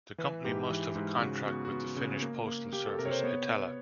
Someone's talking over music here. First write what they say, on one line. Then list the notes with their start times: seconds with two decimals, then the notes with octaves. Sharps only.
The company must have a contract with the Finnish postal service Itella.
0.18 E3 B4
0.45 G#2 G4
0.70 E3
0.96 G#2
1.20 C#3 F#4
1.46 B3 F#4
1.65 F#4
1.72 B3
1.96 C#3
2.22 A#3
2.47 A#3
2.73 A#3 G4
2.86 A4
2.99 C3 A#4
3.06 C#5
3.11 C5
3.24 B3 C#5
3.49 B3